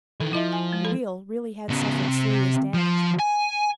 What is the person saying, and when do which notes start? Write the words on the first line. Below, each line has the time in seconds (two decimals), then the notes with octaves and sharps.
The wheel really had suffered serious damage.
0.20 D#3 E3 A4
0.33 F3 E4 D#5 E5
0.53 G#5
0.73 G#3
0.85 A4
1.70 C#3 B3
2.08 C3
2.74 F3
3.19 G#5